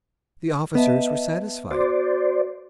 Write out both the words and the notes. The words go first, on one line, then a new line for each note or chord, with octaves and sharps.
The officers were satisfied.
B3 D#5 E5 A5
F#4 C5 D5